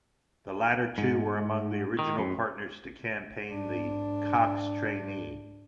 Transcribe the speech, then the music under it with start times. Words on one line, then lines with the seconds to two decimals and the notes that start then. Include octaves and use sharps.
The latter two were among the original partners to campaign the Cox trainee.
0.98 G#2
1.99 D#3
2.18 F#2
3.48 G#2 D4